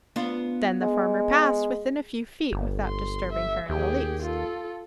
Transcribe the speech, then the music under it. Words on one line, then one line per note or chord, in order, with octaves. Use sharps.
Then the farmer passed within a few feet without disturbing her in the least.
B3 D4 F4
G#3
G1
C6
E5
D#2 G4 G#4
F4 A4